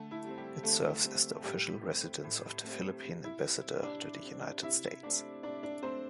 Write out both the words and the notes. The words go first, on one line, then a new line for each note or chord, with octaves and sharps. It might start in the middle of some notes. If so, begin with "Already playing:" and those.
It serves as the official residence of the Philippine ambassador to the United States.
Already playing: D3 A3 A4
E4
G3
C4
G3 G4
D3 A3 A4
G3 C4
A2 G3 G4
A3 C4
A2
A3 C4
C3
E4
G3 C4
C3 D4 D5
G3 C4
C3 E4 E5
A3 C4 D4 D5
C3 D4 D5
D4 D5
A3 C4 C5